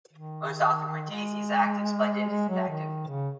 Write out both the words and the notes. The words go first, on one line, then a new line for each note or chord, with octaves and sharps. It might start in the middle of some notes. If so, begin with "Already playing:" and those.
Most often, when Daisy is active, Splendid is inactive.
D#3
G#3
G#3
F#3
D#3
C#3